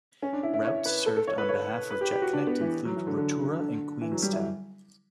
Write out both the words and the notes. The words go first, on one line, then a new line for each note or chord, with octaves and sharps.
Routes served on behalf of Jetconnect included Rotorua and Queenstown.
C#4
D4
E4
E4
C#5
B4
A4
A4
C#5
B4
C#5
B4
G4
G4
F#4
D4
B3
E3
F#3
E3
D3
D3
D3
E3
F#3
G3
E4